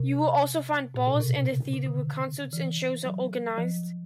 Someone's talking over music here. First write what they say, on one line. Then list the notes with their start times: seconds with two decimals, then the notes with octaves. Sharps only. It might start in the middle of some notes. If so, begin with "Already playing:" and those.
You will also find bars and a theater where concerts and shows are organized.
Already playing: C3
0.94 A#2
1.07 B2
1.20 C3
1.34 C3
1.47 C#3
1.74 C#3
1.87 D3
2.00 D#3
2.53 E3
3.06 F#3
3.58 F3